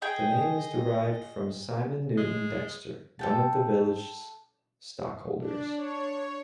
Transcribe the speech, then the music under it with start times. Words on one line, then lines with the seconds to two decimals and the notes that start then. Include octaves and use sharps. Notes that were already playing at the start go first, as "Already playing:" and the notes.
The name is derived from Simon Newton Dexter, one of the village's stockholders.
0.02 G#4 D#5 G5
2.17 G#3
3.19 A4 G5 A5
5.39 D4
5.75 C#5